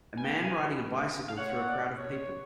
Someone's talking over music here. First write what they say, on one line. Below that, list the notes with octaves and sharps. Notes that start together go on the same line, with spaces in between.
A man riding a bicycle through a crowd of people.
B4 G#5
G5
G#5
F5
C#5 F#5
D5
C#5